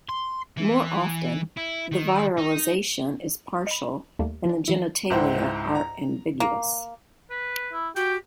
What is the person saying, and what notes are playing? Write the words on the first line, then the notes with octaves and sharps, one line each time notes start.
More often, the virilization is partial and the genitalia are ambiguous.
C6
E3
E4
D#3
D#4
D#5 B5
D#2 G3 A3 A#3
F3 D4
E3 E4
C#2 G#2 E4 C5 F#5 G5
A#5
A#3
B4
E4
F#4 G4 G5